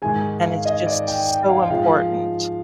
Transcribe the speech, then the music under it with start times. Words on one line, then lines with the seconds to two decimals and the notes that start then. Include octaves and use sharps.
and it's just so important.
0.02 G#2 D#3 G#3 G#5
0.44 F5
0.66 D#5
0.87 D5
1.08 G5
1.28 G5
1.49 F5
1.60 G5
1.70 G#2 F3 G#3 F5